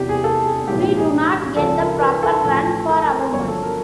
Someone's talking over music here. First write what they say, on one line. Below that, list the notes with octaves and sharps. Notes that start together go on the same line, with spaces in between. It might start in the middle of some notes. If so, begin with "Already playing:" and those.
We do not get the proper run for our money.
Already playing: E2 C3 E3 G4
G#4
A4
G#4
B1 A2 E3 G4
G4
G#4
C#2 C#3 F3 A4
A#4
B4
A4
A1 A2 F3 A4
A4
A#4
C5
G1 F#2 D3 F3 C#5
A4
A#4